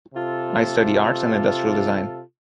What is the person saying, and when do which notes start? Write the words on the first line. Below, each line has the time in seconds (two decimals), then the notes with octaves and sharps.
I study arts and industrial design.
0.15 C3 F4 A4